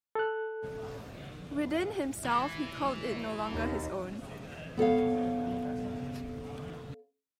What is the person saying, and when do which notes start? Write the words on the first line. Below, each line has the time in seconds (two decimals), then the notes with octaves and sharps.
Within himself he called it no longer his own.
0.15 A4 F#6
2.25 E3
3.51 D#2
4.77 B3 A4 C#5 F5